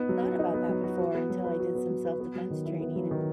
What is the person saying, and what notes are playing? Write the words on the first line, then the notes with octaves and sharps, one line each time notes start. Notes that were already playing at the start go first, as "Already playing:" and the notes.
thought about that before, until I did some self-defense training and
Already playing: B3 D#4
F#3
F#4
D#4
B3
F#3
F#4
F#4
B3
F#3
B4
F#4
B3
F#3
B4
B3
F#3
D#3
E4
B3
F#3
D#3